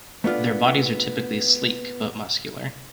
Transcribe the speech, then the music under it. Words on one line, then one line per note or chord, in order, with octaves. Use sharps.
Their bodies are typically "sleek" but muscular.
A3 B3 D4 F4